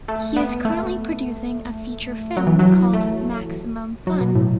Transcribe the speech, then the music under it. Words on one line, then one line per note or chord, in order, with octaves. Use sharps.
He is currently producing a feature-film called "Maximum Fun".
A3
B3
A3
F#3
E3
F#3
A3
F#3
B2
A2